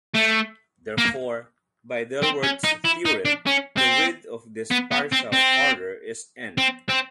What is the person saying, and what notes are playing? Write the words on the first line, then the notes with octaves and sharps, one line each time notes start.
Therefore, by Dilworth's theorem, the width of this partial order is "n".
A3
A#3
C4
C#4
D#4
E4
D#4
D4
C#4
C4
B3
B3
C4
C4
C4
C4